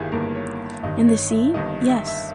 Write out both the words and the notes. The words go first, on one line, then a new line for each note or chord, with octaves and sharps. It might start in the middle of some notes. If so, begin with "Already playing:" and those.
In the sea, yes.
Already playing: G1 G2 D#3 A#3 E4 G4 G#4
G1 G2 D#3 A#3 A#4
C#5
G1 G2 D#3 D#5
C#5
E5
G1 G2 D#3 D#5
E5
E5